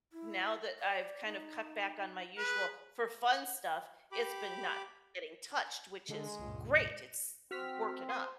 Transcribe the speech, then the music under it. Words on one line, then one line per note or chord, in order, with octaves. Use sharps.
now that I've kind of cut back on my usual for fun stuff, it's been not getting touched, which is great, it's working up,
E4
D5
D#4
G#4 B4
G4 B5 D6
D3 G#3
C#2 G2 A#2
C4 F#4 F6 B6
C5 C6 D#6